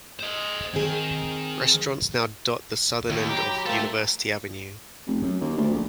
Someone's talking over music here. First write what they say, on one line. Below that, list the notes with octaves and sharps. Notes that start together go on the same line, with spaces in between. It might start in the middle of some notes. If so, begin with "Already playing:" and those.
Restaurants now dot the southern end of University Avenue.
C5 D#5
D#3 C4 G#4
D#2
F#3 G4 A#5 B5
A3 A#3 A4 C5 G5
F1
F#2
D#2
D2
A#1